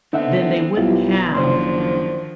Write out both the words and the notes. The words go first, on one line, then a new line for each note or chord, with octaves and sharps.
then they wouldn't have
D3 B3 C4 D#4 E5 F#5
B1 E4 F4 G4
F#1 D3 D#3 F3 C5 D5 C6